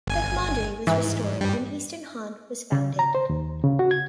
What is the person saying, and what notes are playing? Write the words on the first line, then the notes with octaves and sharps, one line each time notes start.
The commandery was restored when Eastern Han was founded.
G1 G#5
G#2 E3
G2 G3
C#3
A#5
C5
D#2
C#3
F#4
G#6